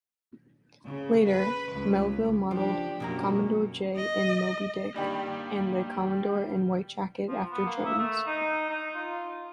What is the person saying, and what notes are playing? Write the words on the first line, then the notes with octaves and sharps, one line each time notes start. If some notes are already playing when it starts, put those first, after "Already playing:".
Later, Melville modeled "Commodore J-" in "Moby-Dick", and the commodore in "White-Jacket" after Jones.
C#3
B4
C#2
F3 D4 G4
F#2 B2 A#3 A#5
D#5
G2 D#3 G3 A#3 D4 G4 B5
F3
B3
A#3
E5
A3
D#4
D#4
F4